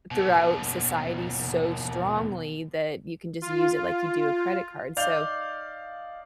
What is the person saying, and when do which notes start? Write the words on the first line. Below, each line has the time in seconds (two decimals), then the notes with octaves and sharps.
throughout society, so strongly that you can just use it like you do a credit card, so,
0.11 D#2 B2
3.42 F4
4.97 D#4 D5 F5 G6 F7